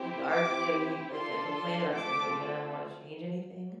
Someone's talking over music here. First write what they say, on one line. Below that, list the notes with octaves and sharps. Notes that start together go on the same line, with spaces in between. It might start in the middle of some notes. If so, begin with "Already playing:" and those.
you are you know y you like, I complain about something, but you don't ever wanna change anything.
Already playing: C4 E4 G4
C4 E4 G4 D6
D4 F4 A4 C6
C6
A3 C4 F4 A4 D6